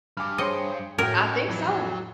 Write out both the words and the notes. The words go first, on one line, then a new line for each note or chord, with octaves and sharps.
I think so.
G2 G#5 B5 D6 F6
G#4 C5 C#5 D#5 G5 C6 C#7
A2 C#4 F#4 A#4 G5 G#6
F2 E3 F#3 B5